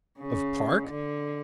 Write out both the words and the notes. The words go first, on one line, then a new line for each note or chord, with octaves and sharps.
"Of park?"
C#3
D3